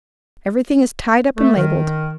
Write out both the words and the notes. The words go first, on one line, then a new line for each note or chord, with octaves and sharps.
Everything is tied up and labelled.
A3
D#3